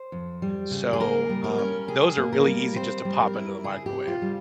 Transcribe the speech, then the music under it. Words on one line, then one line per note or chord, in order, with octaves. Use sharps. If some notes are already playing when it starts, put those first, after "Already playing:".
so, um, those are really easy just to pop into the microwave.
Already playing: C5
F2
G3
C#3
G#4
A#3 A#4
G3
A#4
C#4
C3 G#4
A#3
A#4
G3
C4 C5
G3
A#4
E4
C#3 G#4
G4
C4
F4
G3